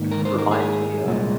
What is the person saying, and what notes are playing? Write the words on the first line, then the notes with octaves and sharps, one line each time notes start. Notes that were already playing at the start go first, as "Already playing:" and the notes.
It kind of reminds me of
Already playing: G#2 D#3 A#3
A#4
C5
A#4
G#4
C2 A#2 G#3